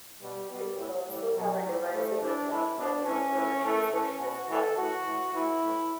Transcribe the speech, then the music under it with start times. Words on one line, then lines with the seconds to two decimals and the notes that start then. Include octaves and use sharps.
It would also have a divisive effect on the opposition Socialist Party.
0.21 B2 G3
0.49 B2 G3
0.77 A2 E3
1.05 A2 E3 G3
1.35 B2 F#3
1.62 A2 E3 G3
1.91 A2 E3 A3
2.20 A2 E3 D4
2.49 A2 E3 E4
2.77 B2 D4
3.05 A2 E3 C#4
3.34 A2 E3
3.62 A2 E3 A3
3.90 A2 E3 C#4
4.19 B2 F#4
4.48 A2 E3 A4
4.76 A2 E3 F#4
5.04 A2 E3
5.33 A2 E3 E4
5.62 A2 E3